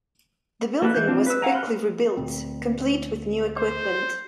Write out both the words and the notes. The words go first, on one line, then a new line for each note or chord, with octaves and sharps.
The building was quickly rebuilt, complete with new equipment.
A#3 A4 B4
E3 G6
C4 D4 F4
B4 E6
F5 F#5 G#5 A#5
B5 C6 F6 F#6
D2 A#2 C4
C5